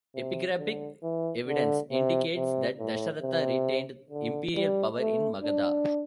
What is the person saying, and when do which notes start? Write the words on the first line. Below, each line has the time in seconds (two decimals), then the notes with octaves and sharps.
Epigraphic evidence indicates that Dasharatha retained imperial power in Magadha.
0.15 C3
0.58 D3
1.03 E3
1.48 D3
1.91 C3
2.35 C3
2.79 A2
3.23 C3
4.10 D3
4.55 G3
4.99 A3
5.43 D4